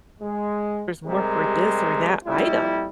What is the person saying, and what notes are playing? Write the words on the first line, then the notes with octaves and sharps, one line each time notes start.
more for this or that item."
G#3
C3 G3 G#3 A#4
F2 A#2 G3 E4